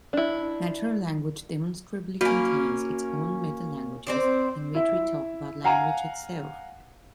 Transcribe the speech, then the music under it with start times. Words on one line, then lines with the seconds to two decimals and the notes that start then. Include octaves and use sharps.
Natural language demonstrably contains its own metalanguages, in which we talk about language itself.
0.13 D4 E4
2.21 A#3 C#4 F#4
4.07 C4 C5 D5
4.75 E4 E5
5.64 F5 F#5 G#5 A#5